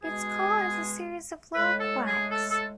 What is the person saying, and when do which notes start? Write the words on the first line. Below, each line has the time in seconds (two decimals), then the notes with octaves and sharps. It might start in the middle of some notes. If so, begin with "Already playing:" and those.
Its call is a series of low "quacks".
0.03 B2 G#3 G#4
1.55 A2 G#3 B4
1.80 A4
2.06 G#4
2.31 A4
2.50 A4